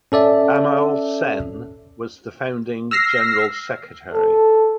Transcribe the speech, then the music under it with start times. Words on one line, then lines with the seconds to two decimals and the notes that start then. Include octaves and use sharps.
Amal Sen was the founding general secretary.
0.12 C#4 A4 D5 E5
2.91 E6 F6 A#6 C7
4.13 A4